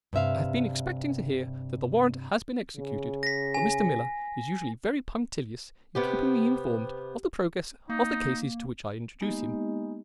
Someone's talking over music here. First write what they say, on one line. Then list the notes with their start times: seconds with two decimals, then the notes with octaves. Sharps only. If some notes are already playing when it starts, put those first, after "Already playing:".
I have been expecting to hear that the warrant has been executed, for Mr. Miller is usually very punctilious in keeping me informed of the progress of the cases to which I introduce him.
0.13 G2 C3 E5 F5
2.77 C#3
3.23 A#6 B6
3.54 G#5
5.95 C3 B3 G4
7.90 A#3 D#4
9.21 G#3 A#3 B3 D#4 G4 D#5